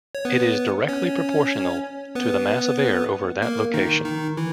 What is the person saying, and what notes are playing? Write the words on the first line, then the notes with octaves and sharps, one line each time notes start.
It is directly proportional to the mass of air over that location.
C#5
B3 B4
C#4 C#5
B3 B4
A#3 A#4
D#3 D#4
D#3 D#4
E3 E4